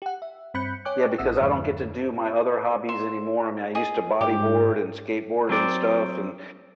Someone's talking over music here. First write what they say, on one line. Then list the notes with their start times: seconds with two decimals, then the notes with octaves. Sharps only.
Yeah, because I don't get to do my other hobbies anymore. I mean, I used to bodyboard and skateboard and stuff, and,
0.02 G4 F#5
0.22 E5
0.54 G2 C4 B5 F#6 G6 C#7
0.85 C#5 G5 G#5 D6 F#6
1.18 A1 C4 E5 F#5 D#6 E6
1.40 F2 G#2 D3
2.89 E5 C6
3.75 G#4 D#5
4.21 G#2 G4
5.49 F#3 C4 D5